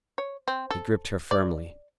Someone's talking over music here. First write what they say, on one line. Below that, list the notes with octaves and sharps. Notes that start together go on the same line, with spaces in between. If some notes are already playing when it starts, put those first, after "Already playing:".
He gripped her firmly.
C#5
C4
A4
D5